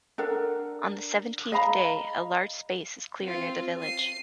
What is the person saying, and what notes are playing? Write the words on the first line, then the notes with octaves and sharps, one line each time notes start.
On the seventeenth day a large space is clear near the village.
D4 A4 A#4 F#5
D#5 F5 A#5 B5
C4 F4
C7 D#7